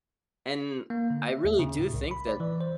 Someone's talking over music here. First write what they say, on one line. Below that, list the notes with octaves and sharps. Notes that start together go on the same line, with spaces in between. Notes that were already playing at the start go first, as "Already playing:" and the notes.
And I really do think that
A#3
D3
E5
D#2
C#3
A2
C2
B5
D5
E3
C5